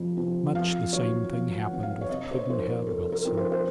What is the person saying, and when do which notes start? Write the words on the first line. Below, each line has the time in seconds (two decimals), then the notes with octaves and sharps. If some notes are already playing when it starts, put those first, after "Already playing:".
Much the same thing happened with PUDD'NHEAD WILSON.
Already playing: F2 C3 F3
0.17 C3 F3
0.55 F2 F5
0.93 D#3 F#3 C4 D#4 C#5
1.32 F2 F5
1.58 F#5
1.71 D#3 F#3 C4 D#4
1.83 F5
2.01 C#5
2.09 C3 D#5
2.31 C5
2.34 C#5
2.48 F3 C4 D#4 C5
2.60 A#4
2.87 C3 A4
3.12 A#4
3.25 F3 C4 D#4
3.37 C5
3.52 C5